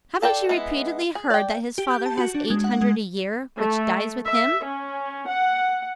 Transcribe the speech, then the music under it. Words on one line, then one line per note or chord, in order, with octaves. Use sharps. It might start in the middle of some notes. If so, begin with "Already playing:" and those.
'Haven't you repeatedly heard that his father has eight hundred a year, which dies with him?
F4 A4 D5 G5
G#3 B3 E4
G#4
D5 G5
G4
G6
A5
F#4
D4
G#3
F#5
G#3
A3
E5
C#4
F#5